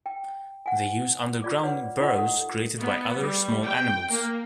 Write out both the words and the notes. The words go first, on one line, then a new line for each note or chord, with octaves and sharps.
They use underground burrows created by other small animals.
G5
F#5 G#5
F4 D5 D6
B4 C#5 D5 F#5
D#4 F4 G4 D#5 F#5
A4 F#5
B3
G3
G5
A#3